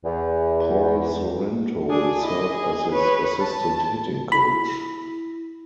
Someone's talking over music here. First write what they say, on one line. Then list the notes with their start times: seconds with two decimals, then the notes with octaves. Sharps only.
Paul Sorrento will serve as his assistant hitting coach.
0.04 E2
1.90 D4 G#4
2.21 E4 D#5
2.51 G#4
2.92 B4 C#5
3.40 A5
4.32 E4 B5